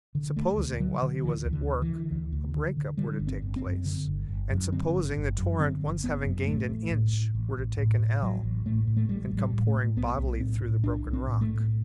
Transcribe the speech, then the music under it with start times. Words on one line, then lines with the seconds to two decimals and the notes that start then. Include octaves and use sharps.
Supposing while he was at work a break-up were to take place, and supposing the torrent once having gained an inch were to take an ell, and come pouring bodily through the broken rock!
0.15 D3
0.36 D2 A3
0.58 D2
0.80 D3 F#3
1.02 D3
1.23 D2 E3
1.45 D2
1.53 D3
1.67 D3
1.82 E3
1.89 D3
2.11 D2
2.32 D2
2.55 D3
2.77 D3
2.98 D3 G3
3.20 G1
3.27 C4
3.42 G1
3.56 C4
3.64 F#2
3.85 D3
4.07 G1
4.28 G1
4.51 F#2
4.72 D3 C4
4.95 G1
5.16 G1
5.38 F#2
5.59 D3 C4
5.82 G1
6.04 G1 B3
6.25 F#2
6.47 A1 A3
6.70 A1
6.91 A2
7.13 A2
7.35 A1
7.56 A1
7.77 A2
7.99 A2
8.21 A1 F#3
8.43 A1
8.66 A2 A3
8.87 A2
8.97 A3
9.09 A1 G3
9.31 A1
9.37 G3
9.53 A2
9.68 A3
9.75 A2
9.96 B1 B3
10.18 B1
10.40 A2 C4
10.62 A2
10.83 B1 D4
11.05 B1
11.13 C4
11.28 A2
11.41 A3
11.49 A2